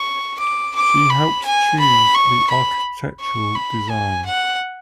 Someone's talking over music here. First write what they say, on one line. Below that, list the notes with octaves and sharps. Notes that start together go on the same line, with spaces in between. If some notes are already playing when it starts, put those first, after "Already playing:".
She helped choose the architectural design.
Already playing: C#6
D6
D6
B5
G#5
B5
C#6
B5
C#6
B5
G#5
F#5